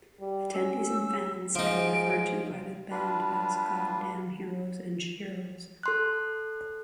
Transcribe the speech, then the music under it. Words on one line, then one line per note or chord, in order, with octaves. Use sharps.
Attendees and fans are referred to by the band as Goddamn Heroes and Sheroes.
G3
C#4 E6
G#2 F3 D#4 D7
G3 D4 F4 B4
A4 C6 F#6